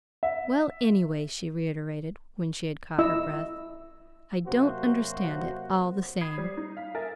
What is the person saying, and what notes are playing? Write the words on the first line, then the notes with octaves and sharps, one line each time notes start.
"Well, anyway," she reiterated, when she had caught her breath, "I don't understand it, all the same."
E5
E4 D#5 E6
C3 F#3 A#3 F#4 C5
B5 D#6 G#6 C7
G3
D#4
F5 B6
A#4 E5 G#5 A6